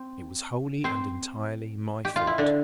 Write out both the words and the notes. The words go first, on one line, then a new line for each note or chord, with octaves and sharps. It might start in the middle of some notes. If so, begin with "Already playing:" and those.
It was wholly and entirely my fault.'
Already playing: C4
C4 C5
G4
F4
E4
D3 D4